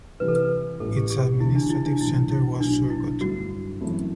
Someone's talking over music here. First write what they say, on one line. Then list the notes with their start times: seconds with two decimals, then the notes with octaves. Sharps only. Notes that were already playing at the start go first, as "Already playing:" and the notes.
Its administrative centre was Surgut.
0.20 C2 C3 E3 G3 B4
0.28 A4
0.36 B4
0.80 A1 A2 G3 A4
0.96 G4
1.10 G4
1.40 D2 C3 E3 A3 E4
1.55 D4
1.70 E4
1.86 D4
2.00 B1 A2 E3 E4
2.31 E4
2.60 B1 A2 F#3 B3 D4
2.90 E4
3.21 G1 G2 F#3 A3 F#4
3.80 F#2 E3 A3 C4 E4